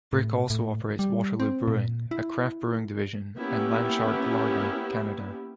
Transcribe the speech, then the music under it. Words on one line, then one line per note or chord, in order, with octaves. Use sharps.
Brick also operates Waterloo Brewing, a craft brewing division, and LandShark Lager Canada.
A2
A2
G3
C4
A#2
E4
A#3 B3 C#4 E4 G4